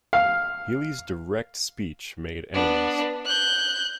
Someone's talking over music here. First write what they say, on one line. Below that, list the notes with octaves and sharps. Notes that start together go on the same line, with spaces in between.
Healey's direct speech made enemies.
F5
B3 D4
F#6 G6